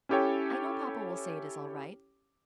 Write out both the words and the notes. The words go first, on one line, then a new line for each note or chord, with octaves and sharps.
I know Papa will say it is all right.
C#4 E4 G4 A4 C#5 G5